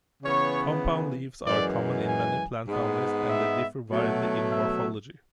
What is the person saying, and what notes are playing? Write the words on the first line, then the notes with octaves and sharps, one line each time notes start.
Compound leaves are common in many plant families and they differ widely in morphology.
C#3 E3 B3 C#5
F#2 E3 G#3 D5
G#5
G#2 G#3 B3
E5
B2 F#3 A3
E5